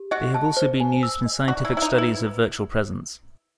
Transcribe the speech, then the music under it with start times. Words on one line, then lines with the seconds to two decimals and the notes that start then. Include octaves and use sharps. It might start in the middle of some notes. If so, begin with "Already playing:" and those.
They have also been used in scientific studies of virtual presence.
Already playing: G4
0.11 F#4 D#5
0.34 A5
0.57 C5
0.80 G#5
1.03 E6
1.26 D#5
1.48 F#4 D5
1.65 E4
1.70 A#5
1.77 E4
1.82 D#4
1.93 B4
1.98 E4